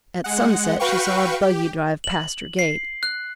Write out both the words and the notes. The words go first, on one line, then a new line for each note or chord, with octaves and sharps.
At sunset she saw a buggy drive past her gate.
G#3 F#5
F#4 B4 F5 G5 C#6
G4
F#7
C7
F#6